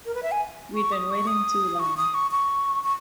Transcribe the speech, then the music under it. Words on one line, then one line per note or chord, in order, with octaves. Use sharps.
We'd been waiting too long.
A#4
B4
E5
G#5
C#6
D#6
C#6
D#6
C#6
D#6
C#6
C#6
C#6